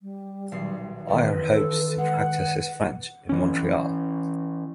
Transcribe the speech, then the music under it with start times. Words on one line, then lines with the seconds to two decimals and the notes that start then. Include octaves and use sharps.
Ayer hopes to practice his French in Montreal.
0.02 G3
0.51 D#1 B1 C7
1.08 A1 D#3 B3 B4
1.51 A4
1.98 G#3 F#5
3.29 E3 C#4